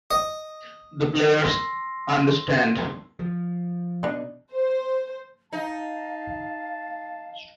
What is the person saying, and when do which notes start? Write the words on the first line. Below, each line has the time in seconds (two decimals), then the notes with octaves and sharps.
The players understand.
0.11 D#5
1.44 C6 E6 A#6 C7
3.19 F3
4.03 B2 D4 D#4
4.52 C5
5.52 D#4 F5 A5